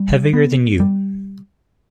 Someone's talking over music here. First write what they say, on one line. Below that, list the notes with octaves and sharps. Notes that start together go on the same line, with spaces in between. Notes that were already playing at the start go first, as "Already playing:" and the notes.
Heavier than you.
Already playing: G3
B3
G3